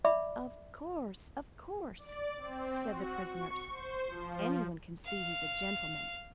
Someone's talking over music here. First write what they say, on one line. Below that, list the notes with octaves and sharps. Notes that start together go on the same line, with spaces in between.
"Of course--of course," said the prisoners;--"any one can see he's a gentleman!"
D5 E5 B5 D6
D5
C4
F#4
C#6
C5
F3
F5